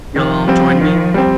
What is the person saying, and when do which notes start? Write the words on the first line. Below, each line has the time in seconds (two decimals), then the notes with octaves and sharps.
You'll join me?
0.16 D#3 F3
0.48 G3 C4
0.81 D#3
1.14 G3 C4